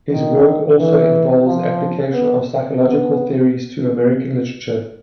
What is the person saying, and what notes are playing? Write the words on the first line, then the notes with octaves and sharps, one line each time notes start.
His work also involves application of psychological theories to American literature.
D#3
E3
F3
B3
B3